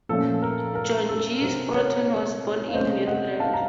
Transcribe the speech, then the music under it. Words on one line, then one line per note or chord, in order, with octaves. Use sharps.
John G. Sproston was born in Maryland.
A#2 F3 A3 C#4 A4
A#4
A#4
A4
C3 F#3 C4 A#4
A#4 C#5
F5
C3 F#3 A3 C#4 C5 D#5
D#5 F#5
F5 A5
A#5